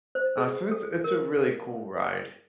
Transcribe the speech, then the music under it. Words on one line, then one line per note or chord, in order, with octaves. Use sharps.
Uh, so, it's a it's a really cool ride.
C5
G#4
A4
A#4